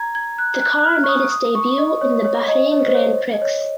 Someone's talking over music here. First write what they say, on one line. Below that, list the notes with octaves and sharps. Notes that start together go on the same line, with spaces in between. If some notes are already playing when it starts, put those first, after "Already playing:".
The car made its debut in the Bahrain Grand Prix.
Already playing: A#5 G#6
G#6
F#6
F#6
F#6
F6
C#6
D#6
D#6
C#6
D#5
C#5
C#5
D#5
C#5
C5
C#5
D#5
C#5